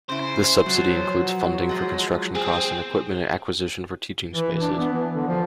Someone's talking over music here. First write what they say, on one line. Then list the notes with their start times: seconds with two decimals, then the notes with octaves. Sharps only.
This subsidy includes funding for construction costs and equipment acquisition for teaching spaces.
0.09 C#3 E4 C5
0.66 B2 F3 F#3
1.69 F3 G#3
2.35 C4 G#4
4.34 E3
4.60 D4
4.78 B3
4.92 E3
5.15 D3
5.27 F3